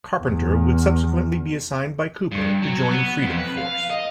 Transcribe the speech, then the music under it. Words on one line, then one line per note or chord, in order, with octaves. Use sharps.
Carpenter would subsequently be assigned by Cooper to join Freedom Force.
E2
G2
F#3
B3
F2
B4
F5
D#5